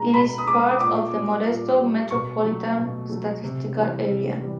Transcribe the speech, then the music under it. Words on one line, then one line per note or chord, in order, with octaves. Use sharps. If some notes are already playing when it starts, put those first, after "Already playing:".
It is part of the Modesto Metropolitan Statistical Area.
Already playing: B2 G#3 A#5
B2 B5
D#6
G#3 D6
A#2 D6
G3
A#2
G3
B2 C#6
F#3 A3
B2
F#3 A3
C3
E3 G3
C3
E3 G3